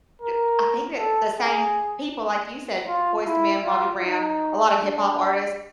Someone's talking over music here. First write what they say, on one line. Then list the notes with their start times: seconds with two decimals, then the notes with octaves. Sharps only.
j I think the the same people, like you said, Boyz II Men, Bobby Brown, a lotta hip hop artists
0.22 A#4
0.98 A4
1.36 G#4
2.88 F4
3.26 E4
3.65 F4
4.03 D#4
4.80 D4